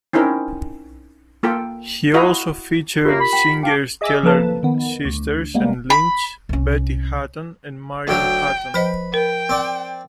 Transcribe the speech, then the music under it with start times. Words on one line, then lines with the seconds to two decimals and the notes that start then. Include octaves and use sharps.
He also featured singers Keller Sisters and Lynch, Betty Hutton, and Marion Hutton.
0.13 C4 C#4 D#4 E4 A#4
1.43 A#3 F4 A4 G5
2.14 E4 F#4 D#5 F5 A#5
3.05 F#2 A#3 F4 G4 A#4
3.19 B5
3.33 F#5 G5
3.63 F5 G5 A5 D6
4.01 G#4 D#5 E5 G#5 D6 E6
4.23 F3 A#3 A4 B4 A5
4.63 D#3 B3
5.05 D2
5.54 G3 G#3 A#3 B3
5.90 B5
6.49 C2 C#4
8.08 D2 D3 F#3 G5
8.74 F3 B4 C5 D#5
9.14 A#4 G5
9.49 C4 D5